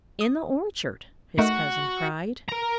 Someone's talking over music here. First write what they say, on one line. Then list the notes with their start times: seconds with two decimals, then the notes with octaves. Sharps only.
"In the orchard!" his cousin cried.
0.21 D#6
1.38 A3 D#4 F#4 A#4
2.49 A#4 A#5